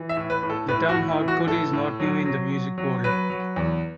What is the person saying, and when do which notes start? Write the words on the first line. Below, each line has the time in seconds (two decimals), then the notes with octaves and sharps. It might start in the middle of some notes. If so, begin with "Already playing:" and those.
The term hardcore is not new in the music world.
Already playing: E3
0.09 E5
0.17 A2
0.30 B4
0.43 A2
0.50 A4
0.68 A2 B4
0.89 F#4
0.95 A2
1.08 E4
1.21 E3
1.28 F#4
1.47 A2 A4
1.73 A2
2.00 F#3
2.25 F#3
2.52 F#3
2.78 F#3
3.04 F#3 B4
3.30 F#3
3.56 E2